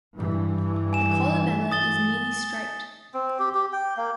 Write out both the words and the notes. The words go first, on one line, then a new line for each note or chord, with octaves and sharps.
The columella is nearly straight.
G2 E3
G#5 E7
D#6 A6 G7
C4
G4
G4
G5
A#3